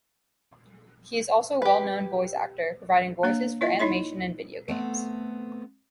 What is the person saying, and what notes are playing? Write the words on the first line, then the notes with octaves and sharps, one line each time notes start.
He is also a well-known voice actor, providing voices for animation and video games.
G4 B4
A#3 D4 C#5 F5
E4 F4 D#5 E5
D#4 E4 C#5 C6
A3 B3 C4